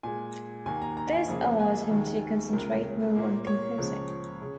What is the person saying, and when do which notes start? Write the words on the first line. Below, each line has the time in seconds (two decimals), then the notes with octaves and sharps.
This allowed him to concentrate more on composing.
0.03 A#2 G#3 G#5
0.66 D#2 D#3 A#3 G#5
0.82 A#5
0.97 A#5
1.13 G#5
1.28 F2 C#3 A#3
1.59 G#5
1.91 D#2 D#3 G#3
2.53 C#2 C#3 G#3 A#4
3.15 A#2 A#3
3.47 C#5
3.78 C#2 C#3 F3
4.42 C#3